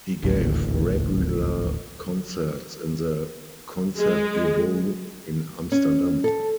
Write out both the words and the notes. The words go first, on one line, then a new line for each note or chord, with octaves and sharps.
He gave regular concerts in the Concertgebouw in Amsterdam.
D#1 A1 D2
G#3
C#4
A4